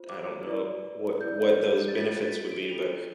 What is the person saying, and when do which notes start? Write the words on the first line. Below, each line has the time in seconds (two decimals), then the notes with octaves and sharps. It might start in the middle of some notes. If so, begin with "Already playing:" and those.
I don't know what what those benefits would be, but
Already playing: F4 C5
0.09 D6
0.46 E4 B4 D5
1.21 E4 B4 D5 G6
1.88 A6
1.95 D4 F4 A4 B6
2.14 A6
2.32 B6
2.51 D7
2.69 D4 F4 A4 F7